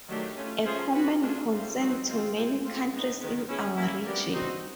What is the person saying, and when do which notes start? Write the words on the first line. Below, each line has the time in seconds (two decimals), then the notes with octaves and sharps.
A common concern to many countries in our region.
0.08 D#3 F#3 A3 D4 G4
0.37 A3 C#4 F4
0.65 C#4 F4 G#4 C5
0.93 C#4 F#4 B4
1.22 A3 D4 F4 G#4
1.50 G3 C4 F4
1.78 F#3 A3 C4 D#4 F#4
2.07 D#3 G#3 C4 F4
2.35 C4 F4 G#4
2.63 A3 C4 F4
2.92 G#3 B3 D#4
3.20 D#3 G#3 B3
3.49 C#4 E4 G#4
3.77 A#3 C#4 E4
4.05 B3 D4 G4 A#4 D5
4.34 C4 D#4 F#4